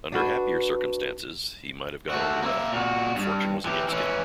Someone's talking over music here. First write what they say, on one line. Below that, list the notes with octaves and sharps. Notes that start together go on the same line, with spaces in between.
Under happier circumstances he might have got on well, but fortune was against him.
D4 F#4 B4
A3 F#4
A#3 E5
A#2 F#4
G2
E3 G4
E3 C#4